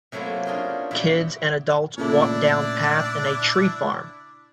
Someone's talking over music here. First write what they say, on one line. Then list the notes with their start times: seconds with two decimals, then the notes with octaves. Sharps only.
Kids and adults walk down path in a tree farm.
0.12 C3 F#3 A3 A#3 E4 F4
0.45 C#4 D4 F4 G#4 A#4 G5
0.91 A#2 E4 F#4 G4 G5
1.98 A#2 C#3 A3 D4 E4 D5